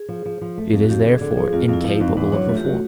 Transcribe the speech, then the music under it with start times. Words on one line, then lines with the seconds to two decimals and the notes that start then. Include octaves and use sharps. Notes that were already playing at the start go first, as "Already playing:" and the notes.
It is, therefore, incapable of reform.
Already playing: G#4
0.09 F3
0.26 F3
0.41 F3
0.58 A3
0.73 F2
0.83 F#4
0.89 F2 G4
1.05 D3 G#4
1.21 D3
1.31 G#4
1.37 F3
1.53 F2 F4
1.68 F2
1.73 E4
1.84 F3
1.95 F2 D#4
2.17 E2 D4
2.32 F#3 D4
2.49 A3 F4
2.57 G4
2.64 F#3 F#4